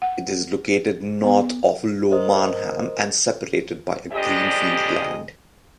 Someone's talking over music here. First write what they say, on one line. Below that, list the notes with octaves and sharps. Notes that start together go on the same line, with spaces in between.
It is located north of Low Marnham and separated by greenfield land.
F#5
B3
A#4 C5 D#5
F2 G3 G#3 D4 G4 D#5